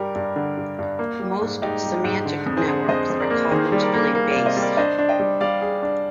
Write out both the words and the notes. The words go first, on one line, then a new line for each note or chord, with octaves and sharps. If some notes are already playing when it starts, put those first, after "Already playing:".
Most semantic networks are cognitively based.
Already playing: G2 G3 G4 A#4
G2
D3
G2
G2
A#3
G3
G#2
G#2 D#4 G4
G3
G#2
D3
F2
G#4 C5
D3
F2 C5 D#5
F2 C5
A#4 D5
A#3
D#3 G#4 C5
G3
A#4 D5
A#3
A#3
D5 F5
C3
C5 D#5
G3
A#4 D5
D4 C5 D#5
D4
D#5 G5
G3
G3 D5 F5
G#4
D4